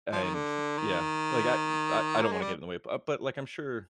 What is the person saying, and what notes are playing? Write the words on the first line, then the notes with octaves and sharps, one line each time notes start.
And, yeah, like, I I I don't wanna get in the way, uh, but, like, I'm sure
F3
D#3
D3
D#3
A#3
G#3
G3